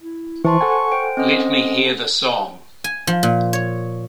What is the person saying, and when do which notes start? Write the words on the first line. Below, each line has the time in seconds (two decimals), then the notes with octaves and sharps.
Let me hear the song.
0.01 E4
0.45 E3 C5 A5 C6 C#6
0.61 A4 F#5 G#5
0.92 C5 G5 D7
1.17 C4 C#4 C5 D#5
2.84 G#5
3.07 F3
3.23 A#2
3.53 C#5